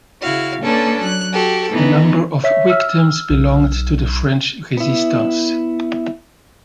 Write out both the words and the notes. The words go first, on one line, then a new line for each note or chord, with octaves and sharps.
A number of victims belonged to the French Resistance.
C#3 E4 F#4 F5
A#3 C#4 D4 A4 B4
F#3 F#6
F#4 G4 A4
E3 B3 D#4
C#5 E5 B6
E6 F6
B1
B3 E4